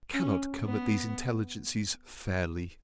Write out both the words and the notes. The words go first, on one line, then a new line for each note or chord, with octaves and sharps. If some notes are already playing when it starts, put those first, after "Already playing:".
He cannot come at these intelligencies fairly.
C#4
B3